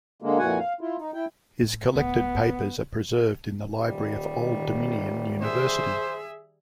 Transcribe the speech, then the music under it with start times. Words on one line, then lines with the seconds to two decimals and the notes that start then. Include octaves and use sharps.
His collected papers are preserved in the library of Old Dominion University.
0.22 D3 G#3 A#3
0.39 F2 A#2 E3 F#4 F#5 G#5
0.59 F5
0.81 E4 F4
0.99 D#4
1.14 E4 G5
1.62 A2
1.95 D1 B3
3.78 D#1 D#3 G3
5.41 G#4 C5 E5